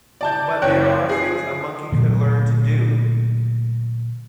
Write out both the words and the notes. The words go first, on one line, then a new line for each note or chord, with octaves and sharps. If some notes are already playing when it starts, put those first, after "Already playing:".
But there are things a monkey could learn to do...
D5 A5 G6
F#1 C#4 C#5 G5 F#6
G#4 C7
A#2 D3 F#3 A3